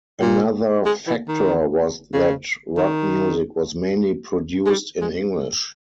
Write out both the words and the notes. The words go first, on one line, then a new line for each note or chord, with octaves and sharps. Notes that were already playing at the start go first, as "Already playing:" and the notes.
Another factor was that rock music was mainly produced in English.
A#2
G#3
E3
D#3
C#3
D#3
G#3
G3
G#3